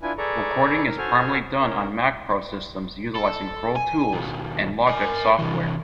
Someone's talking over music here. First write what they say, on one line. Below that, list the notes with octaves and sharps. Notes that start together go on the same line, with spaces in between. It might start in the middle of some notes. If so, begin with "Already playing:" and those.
Recording is primarily done on Mac Pro systems utilizing Pro Tools and Logic software.
D4 E4 F4 B4 G#5
G#4 A4 B4 D5 A#5 C#6
A#4
F#4 A4 C5 G#5 F6
C#4 A#4
A4
G#5
D#2 B2
A#4 G#5
C3 E3